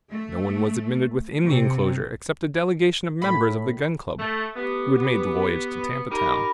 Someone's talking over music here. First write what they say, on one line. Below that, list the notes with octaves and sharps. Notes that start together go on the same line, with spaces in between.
No one was admitted within the enclosure except a delegation of members of the Gun Club, who had made the voyage to Tampa Town.
A3
C3
A2 B5
A3
A3 B3 G4
B3
D#4 G4 A#4 B5